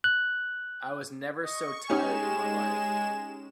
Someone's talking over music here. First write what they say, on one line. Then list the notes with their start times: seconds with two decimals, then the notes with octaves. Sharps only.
I was never so tired in my life.
0.04 F#6
1.43 D#5 C#6
1.90 G#3 C#4 D#4 G4 G#5 E7